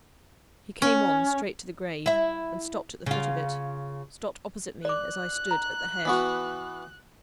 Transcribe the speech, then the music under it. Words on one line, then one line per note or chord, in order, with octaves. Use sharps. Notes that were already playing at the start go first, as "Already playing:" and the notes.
He came on straight to the grave, and stopped at the foot of it--stopped opposite me, as I stood at the head.
C#4
E4 E5
C#3 F4
D5 D6 F#6
A#5
E3 B3 F#4